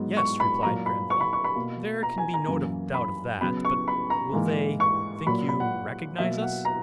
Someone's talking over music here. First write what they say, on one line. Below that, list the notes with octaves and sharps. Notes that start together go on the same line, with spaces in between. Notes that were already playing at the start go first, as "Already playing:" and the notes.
"Yes," replied Grenville, "there can be no doubt of that; but will they, think you, recognize us?"
Already playing: G#2 F#3 B3
C#6
B5
A#2 F#3 A#3 A#5
B5
C#6
B5
C#6
B5
B2 A#3
A#5
G#5
A#5
F#2 E3 A#3
B5
C#3 F#3 B3 B5
C#6
B5
A#5
G#2 E3 A#3
C#6
A#2 F#3 A#3 B5
B5
F#5
B2 F#3 A#3 E5
F#5
A#5